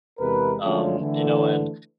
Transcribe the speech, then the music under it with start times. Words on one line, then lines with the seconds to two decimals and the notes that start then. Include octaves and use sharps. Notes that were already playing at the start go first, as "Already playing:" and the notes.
um, you know, and
0.19 E2 C3 G#3 A#4 B4
0.63 D3 F3 F#3 G#3 A3 C#4
0.99 D3 E3 A3